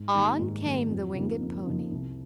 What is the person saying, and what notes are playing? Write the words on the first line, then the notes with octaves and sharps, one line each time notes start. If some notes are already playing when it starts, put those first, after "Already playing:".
On came the winged pony.
Already playing: G#2
D#3 G3 A#3 D#4
G#2
D#3 G3 A#3 D#4
F2
C#3 F3 A#3 D#4
F2
C#3 F3 A#3 D#4
C2